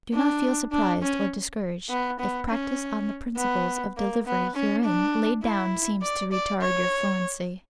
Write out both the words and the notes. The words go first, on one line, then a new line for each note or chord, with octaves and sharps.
Do not feel surprised or discouraged if practise on the principles of delivery herein laid down seems to retard your fluency.
D4
D4
C#4
B3
B3
C#4
B3
A#3
B3
C#4
D4
E4
D5
D5
C#5